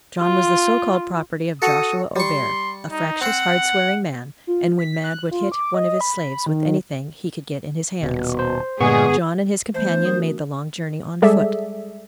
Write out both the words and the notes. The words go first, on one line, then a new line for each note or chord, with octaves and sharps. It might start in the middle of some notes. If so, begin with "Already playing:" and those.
John was the so-called property of Joshua O'Bear, "a fractious, hard-swearing man, and when mad would hit one of his slaves with anything he could get in his hands." John and his companion made the long journey on foot.
F4
F#4 A4 D#6
G3 C6 C#6
D#4
C4 C5 F#5
F4
B6
F#6
F4
D6
D#5
B5
D#3
D#1 B2
C5
G1 A#2 G#3 B3 G#4 C#6
E3 A3 B3 C5
D4
F#4 A#4 D#6
G3 G#3 G#4 A4 D5 E5